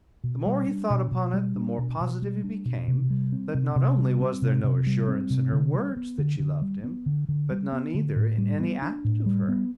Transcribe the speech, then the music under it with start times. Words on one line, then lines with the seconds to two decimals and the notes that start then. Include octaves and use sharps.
The more he thought upon it the more positive he became that not only was there no assurance in her words that she loved him, but none either in any act of hers.
0.24 B2
0.46 G3
0.68 D4
0.90 B2
1.11 B2
1.34 G3
1.55 D4
1.78 B2
2.00 B2
2.22 G3
2.44 D4
2.65 B2
2.88 C3
3.10 G3
3.32 C4
3.54 C3
3.76 C3
3.98 G3
4.20 C4
4.42 C3
4.64 C3
4.87 G3
5.08 C4
5.30 C3
5.52 D3
5.75 G3
5.97 B3
6.18 D3
6.40 D3
6.62 G3
6.84 B3
7.06 D3
7.29 D3
7.51 G3
7.72 B3
7.94 D3
8.16 A2
8.38 G3
8.60 B3
8.82 D4
9.05 A2
9.26 G3
9.49 B3